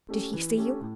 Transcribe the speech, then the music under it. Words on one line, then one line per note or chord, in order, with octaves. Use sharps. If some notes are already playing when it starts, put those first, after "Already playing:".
"Did he see you?"
A3 C#4 G4
E3
A3 C#4 G4
A2